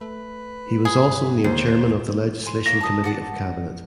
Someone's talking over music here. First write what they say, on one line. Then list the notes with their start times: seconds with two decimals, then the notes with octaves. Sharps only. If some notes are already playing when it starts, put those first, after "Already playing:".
He was also named Chairman of the Legislation Committee of Cabinet.
0.01 A3 B4
0.85 G#4
1.06 G2
1.44 D#2 D3 C5
2.45 G#5 C6
2.66 A#3 C#5 E5 A#6
2.81 A5 D#6
3.04 D5 F#5 A5